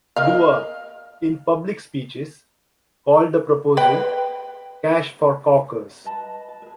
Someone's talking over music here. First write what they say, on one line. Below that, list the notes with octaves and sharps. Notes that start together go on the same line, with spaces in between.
Doerr, in public speeches, called the proposal "cash for caulkers".
A#4 D#5 F5
B4 G5
B4 D#5 A5 B5
A5
G#4 B4